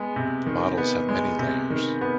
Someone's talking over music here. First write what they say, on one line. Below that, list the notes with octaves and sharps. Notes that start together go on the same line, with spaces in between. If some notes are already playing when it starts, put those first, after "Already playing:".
The models have many layers.
Already playing: G#3 B3
C3
D#3
B3
G#3
C3
D#3
B3